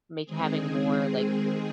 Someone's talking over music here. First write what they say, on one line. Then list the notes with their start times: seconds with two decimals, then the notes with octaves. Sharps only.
m make having more, like,
0.25 D#3 G#3 C4 G#4